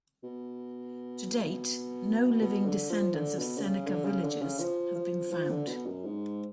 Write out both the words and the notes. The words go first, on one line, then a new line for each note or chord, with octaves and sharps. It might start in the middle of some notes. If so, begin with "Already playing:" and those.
To date, no living descendants of Seneca Villagers have been found.
B2
B2
D3
F3
D3
B2
D3
C#3
D3
C#3
D3
C#3
F3
F3
F3
D3
B2
F#2
G#2